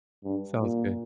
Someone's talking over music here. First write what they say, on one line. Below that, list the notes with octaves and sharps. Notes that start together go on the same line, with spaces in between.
Sounds good.
G2
A#2